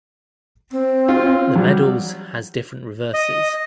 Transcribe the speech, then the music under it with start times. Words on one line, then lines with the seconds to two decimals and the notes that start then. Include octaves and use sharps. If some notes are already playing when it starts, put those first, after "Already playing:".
The medals has different reverses.
0.72 C4
1.08 F4
1.55 F#3 G3
3.14 D#5